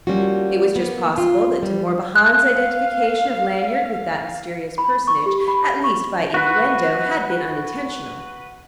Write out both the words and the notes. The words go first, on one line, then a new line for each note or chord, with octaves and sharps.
It was just possible that De Morbihan's identification of Lanyard with that mysterious personage, at least by innuendo, had been unintentional.
G3 A#3 C#4 F4 F#4
A#3 B3
F4
G3
F5 F#6
B5
C#6
G4
B5
C#6
F#4 B4